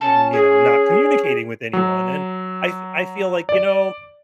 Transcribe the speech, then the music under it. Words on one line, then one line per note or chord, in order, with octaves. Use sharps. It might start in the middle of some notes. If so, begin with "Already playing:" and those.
mm, you know, not communicating with anyone, and I f I feel like, you know,
C#4 A5
G#4
F#3
D5